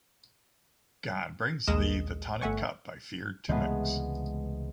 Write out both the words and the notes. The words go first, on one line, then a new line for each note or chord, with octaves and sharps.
God brings thee the tonic cup I feared to mix.
A#1 D#2 G#3 A#4 D#6 E7
G1 A3 E5 F#5 G#5 C#6
C#2 C3 E3 G#3 A3 B3